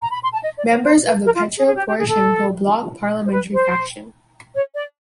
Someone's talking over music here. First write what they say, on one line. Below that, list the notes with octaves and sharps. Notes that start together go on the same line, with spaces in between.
Member of the Petro Poroshenko Bloc parliamentary faction.
A#5
B5
C6
A5
D#5
D5
C#5
C5
B4
A#4
F4
G#4
G#4
G4
G4
G#4
A4
C5
B4
C5
C#5
D5